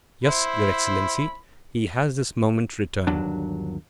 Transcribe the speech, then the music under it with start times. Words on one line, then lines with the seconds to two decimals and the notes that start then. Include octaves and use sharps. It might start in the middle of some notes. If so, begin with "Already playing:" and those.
"Yes, your excellency; he has this moment returned."
0.24 E4 C5 B5
3.07 G1 D#2 F#3 D4